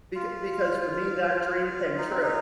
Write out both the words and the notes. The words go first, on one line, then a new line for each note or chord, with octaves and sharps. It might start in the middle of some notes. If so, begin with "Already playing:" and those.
beca because for me that dream came true.
F4
D#4
C4
D#4